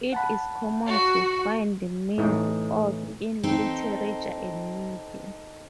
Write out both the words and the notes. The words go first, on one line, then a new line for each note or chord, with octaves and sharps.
It is common to find minced oaths in literature and media.
F#5 A5 B5
F#4
A2 E3 D#4
C4 D#4 A4